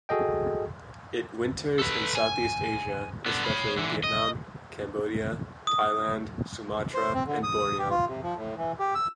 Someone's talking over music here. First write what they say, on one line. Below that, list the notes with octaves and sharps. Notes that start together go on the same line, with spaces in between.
It winters in South East Asia, especially in Vietnam, Cambodia, Thailand, Sumatra and Borneo.
F#4 G#4 A4 D#5 G5
A4 B4
G#5
D3 B3
C#5 B5
D3 E3
D#5
D#6
C5
C4
D3
D#6
G4
F4
C3
F3
A2
E3
G4
E6